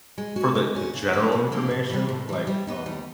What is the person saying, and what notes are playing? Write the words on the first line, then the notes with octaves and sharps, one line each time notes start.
for the the general information, like, um,
G#3
C#4 F#4
G#3
C#4 F#4
C#3
F3 A#3 D4 F4
C#3
F3 A#3 D4 F4
A2
E3 G3
A2
E3 G3
G3
B3 D#4
G3